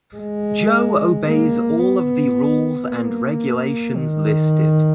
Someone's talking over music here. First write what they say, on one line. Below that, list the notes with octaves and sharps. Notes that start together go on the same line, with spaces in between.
Joe obeys all of the rules and regulations listed.
G#3
A#3
B3
A#3
D#3